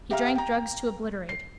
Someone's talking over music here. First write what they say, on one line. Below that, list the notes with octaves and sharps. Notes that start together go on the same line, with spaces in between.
He drank drugs to obliterate.
G4 E5 F5 A#5 F6
G5 A#5
C7